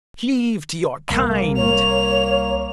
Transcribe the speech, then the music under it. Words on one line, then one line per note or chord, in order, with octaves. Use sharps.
Cleave to your kind.
C2 A#3
A#3 C#5 F7